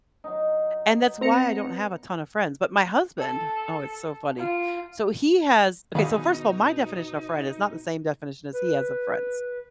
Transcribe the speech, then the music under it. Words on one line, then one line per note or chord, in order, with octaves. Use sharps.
and that's why I don't have a ton of friends, but my husband oh, it's so funny. So, he has okay, so, first of all, my definition of friend is not the same definition as he has of friends
F#3 D#4
B3 C4 A#5 C#7
A4
F4
B2 D#3 D#4 G#4 F5 B5
B4